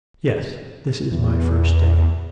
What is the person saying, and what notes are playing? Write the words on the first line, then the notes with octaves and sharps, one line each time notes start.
'Yes, this is my first day.'
E2